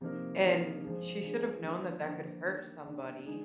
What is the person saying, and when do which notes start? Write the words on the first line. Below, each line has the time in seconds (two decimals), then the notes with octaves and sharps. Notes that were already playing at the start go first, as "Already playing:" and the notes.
And she should’ve known that that could hurt somebody,
0.01 C3 F3 A#3 D#4 A#4
0.42 C3 F3 A#3 D#4 A#4
0.83 F3 G#3 D4 G#4
1.23 F3 G#3 D4 G#4
1.63 D3 F3 A#3
2.04 D3 F3 A#3
2.45 D#3 A#3 D4
2.85 D#3 A#3 D4
3.26 D3 G#3 D#4 G#4